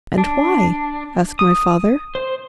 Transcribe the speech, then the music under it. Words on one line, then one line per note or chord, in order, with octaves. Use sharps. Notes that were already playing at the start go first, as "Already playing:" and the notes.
"And why?" asked my father.
D4
D#6
C5